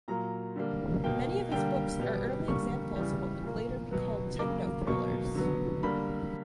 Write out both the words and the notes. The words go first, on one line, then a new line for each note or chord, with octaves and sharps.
Many of his books are early examples of what would later be called techno-thrillers.
A#2 F#3 A#3 A#5
D3 G3 A#3
B2 A#3 G5
D3 G3 A#3 G5
B2 G3 B3
D3 G3 A#3 C#6
C#3 E3 G3
A#2 A#3
B2 F#3 B3
C#3 F#3 A#3 D6
B2 F#3 A#3 C#6
D3 F#3 B3
D3 G3 A#3 B5